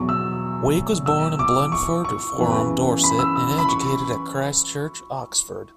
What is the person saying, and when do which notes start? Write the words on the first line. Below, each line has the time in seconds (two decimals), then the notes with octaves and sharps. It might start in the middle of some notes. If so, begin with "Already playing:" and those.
Wake was born in Blandford Forum, Dorset, and educated at Christ Church, Oxford.
Already playing: E2 B2 F#3 C#6
0.09 E6
1.06 E6
1.39 D6
1.72 C#6
2.04 C#6
2.38 F#2 C#3 E3 B3
3.04 B5
3.19 E6
3.36 E6
3.58 B5
3.69 C#6